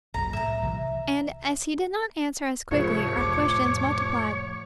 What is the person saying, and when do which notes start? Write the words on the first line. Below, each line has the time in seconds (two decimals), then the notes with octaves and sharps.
And as he did not answer us quickly our questions multiplied.
0.14 F#1 C2 F#2 A#5
0.33 A2 E5 A#5
0.62 B1 C3 E3
2.71 C2 G#2 F3 G#4 C#5
3.17 F2 A2 D6